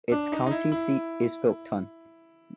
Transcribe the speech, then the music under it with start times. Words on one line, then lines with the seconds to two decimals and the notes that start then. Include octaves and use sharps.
Its county seat is Faulkton.
0.12 D4
0.32 D#4
0.47 D#4
0.51 E4
0.72 E4